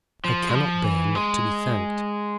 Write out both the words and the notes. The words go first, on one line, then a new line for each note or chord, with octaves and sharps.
I cannot bear not to be thanked.
F3
G#3
F3
E3
G#3